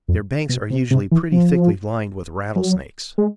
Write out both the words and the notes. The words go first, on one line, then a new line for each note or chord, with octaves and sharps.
Their banks are usually pretty thickly lined with rattlesnakes.
F2
B2
C3
C3
E3
F3
F#3
G#3